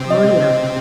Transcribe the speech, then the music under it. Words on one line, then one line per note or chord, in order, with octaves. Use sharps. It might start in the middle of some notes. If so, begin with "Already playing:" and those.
Oh, yeah.
Already playing: C3 C4
D#5